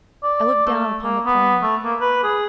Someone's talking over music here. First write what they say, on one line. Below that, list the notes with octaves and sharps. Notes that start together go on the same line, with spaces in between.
I looked down upon the plain.
D5
A3
A#3
B3
A3
A#3
B4
G#4